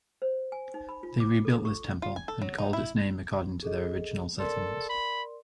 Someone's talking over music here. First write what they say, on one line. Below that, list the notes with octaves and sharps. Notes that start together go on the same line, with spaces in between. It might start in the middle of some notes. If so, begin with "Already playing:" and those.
They rebuild this temple and called its name according to their original settlements.
C5
G#5
D#4
B5
F4
D6
A4
C#6
F4
G#5
A4
F#3
D#4
E4
G#4 A4 D#5
A4 A#4 D5 C6
B5